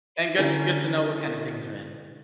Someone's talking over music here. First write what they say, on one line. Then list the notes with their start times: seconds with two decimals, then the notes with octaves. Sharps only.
and good good to know what kind of things you're in.
0.37 D3 C#4 E4 A#4